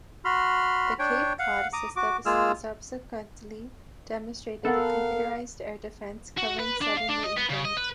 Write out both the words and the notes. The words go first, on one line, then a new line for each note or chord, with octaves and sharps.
The Cape Cod System subsequently demonstrated computerized air defence covering southern New England.
F#4 B5 C6 F6
D4 C#5 G5
F5 F#5
A#5 D6 D#6
F#4 D6
G#3 A#3 F4 G#4 E6 F6
B3 A4 A#4 F5 F#5
F#4
B4
D4
F5
D4
D#5
B3
C#3
D#5
B4